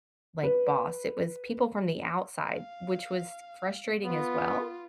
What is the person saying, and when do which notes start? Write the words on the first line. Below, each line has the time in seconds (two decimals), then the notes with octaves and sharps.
like, boss, it was people from the outside, which was frustrating as well
0.43 B4
2.52 F5
4.05 B3 F4